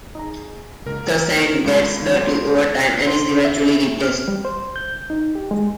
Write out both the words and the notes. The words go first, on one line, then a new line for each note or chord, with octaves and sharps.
The sand gets dirty over time and is eventually replaced.
D#4 G#4 A#5
C#2 A#3 A#4
G2 G#3 F4
F#3 C5 D5
C5
E5
F6
G3
C5
G6
D#4
G4
G#3